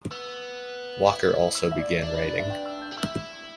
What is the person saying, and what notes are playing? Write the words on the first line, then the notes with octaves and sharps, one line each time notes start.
Walker also began writing.
B3 E6
E4
E6
E5
D5
D4 D5
B4
D5
E5
G5
E6
G6
G4
E4 E6